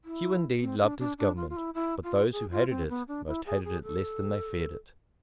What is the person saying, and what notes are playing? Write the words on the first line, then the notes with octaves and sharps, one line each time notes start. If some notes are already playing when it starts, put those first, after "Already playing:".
Few indeed loved his government; but those who hated it most hated it less than they feared it.
E4
C4
D4
D4
D4
F4
F4
E4
E4
F4
G#4
F4
C4
B3
D4
E4
G#4
G#4
A4